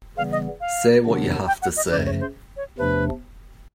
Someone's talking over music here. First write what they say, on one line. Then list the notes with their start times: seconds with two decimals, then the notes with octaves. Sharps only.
Say what you have to say.
0.17 C#3 E3 G3 B3 F5
0.32 D#5
0.61 F5
1.05 C3 D#3 F#3 B3 D4
1.47 G5
1.62 F#5
1.76 D#5
1.91 F#2 C#3 F3 A3 D5
2.05 C#5
2.20 C5
2.57 C#5
2.78 E2 C3 F3 A3 D4 B4